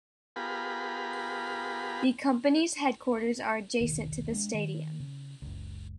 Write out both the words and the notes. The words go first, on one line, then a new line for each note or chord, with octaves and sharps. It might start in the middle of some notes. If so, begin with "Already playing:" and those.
The company's headquarters are adjacent to the stadium.
B3 F4 G4 G#4 A#4 B5
E1 C2 D#3
G#3 D4
D#3
C#3
F#1 C#2